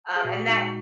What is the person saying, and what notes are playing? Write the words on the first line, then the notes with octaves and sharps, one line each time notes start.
um and that
G#4
A#2 F#4
G#3 D#4